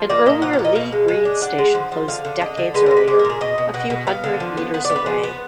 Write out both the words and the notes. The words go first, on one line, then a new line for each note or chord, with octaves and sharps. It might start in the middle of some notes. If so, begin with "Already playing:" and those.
An earlier Lea Green station closed decades earlier, a few hundred metres away.
Already playing: F3
A#3 D5
A#2 D#5
F3 F#5
F5
A#2
D#5
B2 F5
G#3
G#3
D4
D4 F#5
G#3
F3
F3
D3 F5
D3
D3 D#5
D3
G#3 B4
A#4
G#3
B4
G#3 D5
A#4
A#2
G#4
B2 D#5
B2
B2 F#5
B2
B3 F5
D3
F3
B3
B3 F#5
D5
B3
B4
F3 G#4
B3 B4